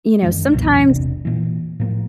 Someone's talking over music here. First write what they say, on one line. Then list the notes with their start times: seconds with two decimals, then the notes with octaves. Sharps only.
you know, sometimes
0.23 F#2 D#3 G#3
0.53 B1 E2 A#2 E3
0.88 E1 C3 D4
1.25 A#2 E3
1.79 A2 F3 A#3